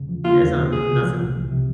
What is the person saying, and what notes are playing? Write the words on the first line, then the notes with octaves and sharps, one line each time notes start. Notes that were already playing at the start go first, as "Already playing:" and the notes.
it's not nothing,
Already playing: E2 C#3
F3
A#3 F4
E2
C#3
C2 G#4
C3
F3
C2
C2
C3